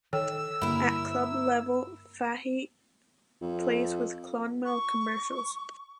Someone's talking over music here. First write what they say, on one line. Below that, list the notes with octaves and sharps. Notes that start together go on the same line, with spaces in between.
At club level Fahey plays with Clonmel Commercials.
D#3 A4 C#5 G5 E6
G2 D3 A#3 E4 A#4
F2
C#6